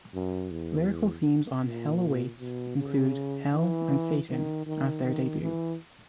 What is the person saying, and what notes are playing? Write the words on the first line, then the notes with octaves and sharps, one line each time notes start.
Lyrical themes on "Hell Awaits" include hell and Satan, as their debut.
F#2
E2
A#2
B2
C#3
E3
D#3
D#3
D#3
E3